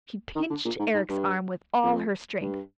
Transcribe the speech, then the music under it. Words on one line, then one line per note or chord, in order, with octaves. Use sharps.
She pinched Eric's arm with all her strength.
D#3
D3
A#2
G#2
G#2
G2
F2
G2